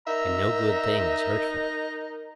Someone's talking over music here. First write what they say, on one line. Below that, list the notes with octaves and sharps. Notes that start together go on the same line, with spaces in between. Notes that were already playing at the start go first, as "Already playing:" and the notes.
And no good thing is hurtful?
D#4 A#4 E5 A#5